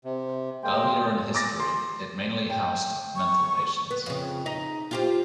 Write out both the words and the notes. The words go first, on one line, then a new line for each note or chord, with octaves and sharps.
Earlier in history, it mainly housed mental patients.
C3
G#3 A#3 G5 C6
D6 A6 A#6
C6
G5
C#6
B3
F2 C#3
D#4
F4 G4 C5